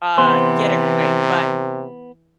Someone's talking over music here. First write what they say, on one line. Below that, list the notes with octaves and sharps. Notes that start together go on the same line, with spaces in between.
uh, get it right, but,
C3 E3 B3 C5